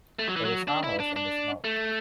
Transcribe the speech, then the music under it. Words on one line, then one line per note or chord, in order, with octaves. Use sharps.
It is harmless in this mode.
A3
F#3
E3
F#3
D4
E4
D4
D4
A3